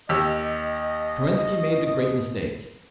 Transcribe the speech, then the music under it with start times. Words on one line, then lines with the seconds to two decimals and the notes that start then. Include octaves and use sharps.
Kerensky made the great mistake.
0.09 D#2 G4 D#5 E6